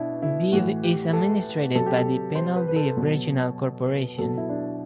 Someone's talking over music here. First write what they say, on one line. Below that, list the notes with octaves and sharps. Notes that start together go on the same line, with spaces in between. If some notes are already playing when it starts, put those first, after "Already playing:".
Debe is administered by the Penal-Debe Regional Corporation.
Already playing: B2 D4 E4
E4
A2 E3 F#4
G4
A4
C3 F#3 A4
G4
A4
C5
B4
B4
A4
B2 F#3
B2 F#3 A4
E4
D4